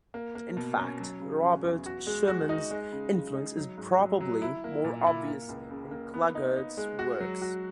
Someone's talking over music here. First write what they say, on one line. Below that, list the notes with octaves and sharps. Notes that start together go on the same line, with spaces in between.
In fact, Robert Schumann's influence is probably more obvious in Klughardt's works.
A#3
A#3
B2
C#4
F#3
C#3
C#4
E2
F#4
G#3
F#4
D#4
G#3
C#3
C#3
D#4
F#3
G#2
F#3
F#3
E4
A#3
A#2
E4
A#3
C#2
C#3
A#3
B3
D#4
D#4
G#3
F#4
F#3
F#4